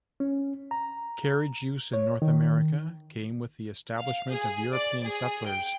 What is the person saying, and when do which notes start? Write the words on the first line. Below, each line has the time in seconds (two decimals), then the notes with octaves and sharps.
Carriage use in North America came with the establishment of European settlers.
0.20 C#4
0.71 A#5
1.93 C#5
2.22 D#3
3.99 F5
4.31 G#4
4.73 D5
5.03 G#4
5.45 G5